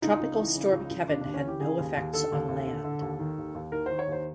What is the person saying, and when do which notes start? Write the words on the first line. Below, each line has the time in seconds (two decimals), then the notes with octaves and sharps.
Tropical Storm Kevin had no effects on land.
0.02 C#2 D#4
0.19 C#2
0.37 E3
0.55 C#3
0.73 C#2
0.91 C#2
1.08 D#2 D4
1.21 D#2 D4
1.34 C#4
1.44 E3 G4
1.60 C#3 G#4
1.79 D#2
1.97 D#2
2.13 D3 A4
2.32 D#2
2.48 D#2
2.67 D3
2.84 D3
3.01 D#2
3.19 D#3
3.38 D#2
3.54 D#2
3.72 D#3 A#4
3.86 D#3 C5
3.99 C#5
4.07 D#2 C5